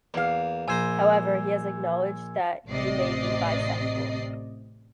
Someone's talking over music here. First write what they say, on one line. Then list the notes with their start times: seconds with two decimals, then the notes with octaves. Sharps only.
However, he has acknowledged that he may be bisexual.
0.14 E2 A#3 F5
0.68 A#1 C5 G#5 A#5 E6 G#6
2.68 A1 C3 D5 D#5 C7